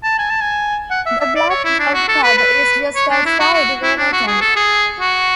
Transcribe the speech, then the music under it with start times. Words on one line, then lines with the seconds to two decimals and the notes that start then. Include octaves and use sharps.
The Black Dog pub is just outside Waverton.
0.04 A5
0.19 G#5
0.30 A5
0.41 G#5
0.91 F#5
1.06 E5
1.20 E5
1.36 D5
1.50 C#5
1.65 E4
1.79 D4
1.94 F#4
2.09 A4
2.23 B4
2.38 B4
2.95 C#5
3.11 D4
3.26 E4
3.40 F#4
3.54 F#4
3.83 E4
3.98 D4
4.13 F#4
4.27 G#4
4.41 A4
4.56 G#4
5.00 F#4